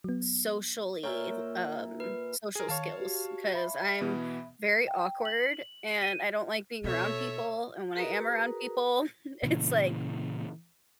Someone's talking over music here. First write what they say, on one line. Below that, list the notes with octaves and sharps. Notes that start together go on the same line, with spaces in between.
socially um, social skills 'cause I'm very awkward, and I don't like being around people. And when I am around people, it's, like,
F#3 B3
A#2 A#4 C#5 E5
B4
G#4 A#4
D#3 C#5 F5 A5
F#4 G4
E5 B5
B2 E3 B3
G5
F#7
D#7
B2 A4 C#5 E5
F#4 G#4 A#4 B4 A#5 D#6
A#2 C#3 E3